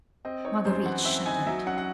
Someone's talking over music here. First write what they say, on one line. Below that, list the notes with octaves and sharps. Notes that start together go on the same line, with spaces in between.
Marguerite shuddered.
C4 D#5
D#4 C#5
F#2 C5
E3 F#5
C4 E5
D#4 G#5
F#3 E5
C#4 F#5
F#5